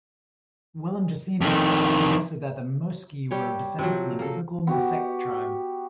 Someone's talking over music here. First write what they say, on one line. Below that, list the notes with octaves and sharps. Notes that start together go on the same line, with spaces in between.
Wilhelm Gesenius suggested that the Moschi were descended from the Biblical Meshech tribe.
F2 D#3
G3 G4 C#5
C3 F3 F#3
A#3 A4
B3 F#4 G4